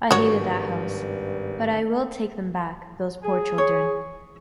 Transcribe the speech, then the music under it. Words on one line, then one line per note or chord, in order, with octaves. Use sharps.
I hated that house... But I will take them back, those poor children.
G#1 G2 F#4 C#5
G#4
C#5